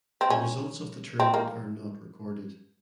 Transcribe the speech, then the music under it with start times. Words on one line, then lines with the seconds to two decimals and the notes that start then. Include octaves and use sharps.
The results of the tournament are not recorded.
0.21 C4
0.30 C#4
1.20 C4
1.34 A#3